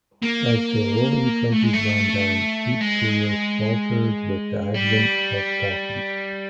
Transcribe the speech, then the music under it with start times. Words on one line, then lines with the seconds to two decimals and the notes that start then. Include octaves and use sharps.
As the Roaring Twenties wound down, Sweet's career faltered with the advent of talkies.
0.22 A#3
1.52 A3
1.63 G#3
1.73 A3
2.81 G#3
4.74 G3